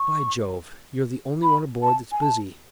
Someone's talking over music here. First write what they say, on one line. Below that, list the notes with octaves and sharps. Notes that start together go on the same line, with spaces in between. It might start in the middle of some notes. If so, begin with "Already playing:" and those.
By Jove! you're the only one aboard that's busy.
Already playing: C#6
B5
A5
G#5
A5